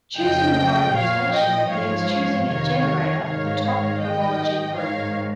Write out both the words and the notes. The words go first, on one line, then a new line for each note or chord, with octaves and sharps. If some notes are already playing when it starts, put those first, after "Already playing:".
Choosing an orientation means choosing a generator of the top homology group.
F2 C#3 F3 D#5 G5
A#2 F3 C#5 F5
D#5 G5
G#2 F3 C#5 F5
F2 C3 D#3 C#5 F5
G#2 D#3 C#5 F5
G#2 D#3 D#5 G5
G#2 D#3 C#5 F5